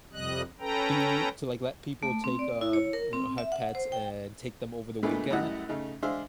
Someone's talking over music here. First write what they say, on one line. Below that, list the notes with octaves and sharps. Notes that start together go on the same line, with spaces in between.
be to, like, let people take, um you know, have pets, and take them over the weekend,
F2 C3 G3 D#5 F#6
C#4 A4 B4 G5 A#5
A3
C4
D5
E4
C#5
A#4
C4
E5
F#5
C5
G5
G2 A#2 D3 G#3 A3 B3
F#2 A2 G3 E4 D#5 F#5
C#3 A3 D#4
G#3 D4 C5 E5 F5